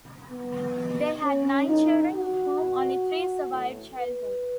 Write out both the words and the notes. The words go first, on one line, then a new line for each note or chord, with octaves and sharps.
They had nine children, of whom only three survived childhood.
B3
B2
C#4
A2 E3 D#4
F#4
B2
A2 E3
B4